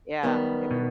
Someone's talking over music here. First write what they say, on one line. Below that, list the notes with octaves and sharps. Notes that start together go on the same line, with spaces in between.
yeah, every
F#2 D#3 G3 B3
B2